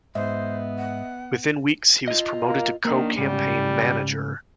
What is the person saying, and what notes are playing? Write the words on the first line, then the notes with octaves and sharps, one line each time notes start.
Within weeks he was promoted to co-campaign manager.
G#2 B3 C5 D#5 E5
F#5
F4 D#5
A#3
D#3 A#3 D4
G#2 C#3 G3